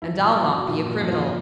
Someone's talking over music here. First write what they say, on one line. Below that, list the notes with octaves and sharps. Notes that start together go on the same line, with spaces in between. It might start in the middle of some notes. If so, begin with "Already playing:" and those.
And I'll not be a criminal.
F3 E4
A#2
F4
F3
F#4
F3
A#2 F4
A#2
F3
F4
F3